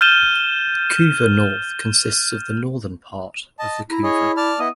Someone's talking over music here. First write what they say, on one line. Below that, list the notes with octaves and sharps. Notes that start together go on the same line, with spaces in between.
Couva North consists of the northern part of the Couva.
F6 G6 A6 D#7 E7 G7
D#5 A5
E4 A#5
G#4 C#5 D#5
D5 A5 F6
B3 E4 D#5 D#6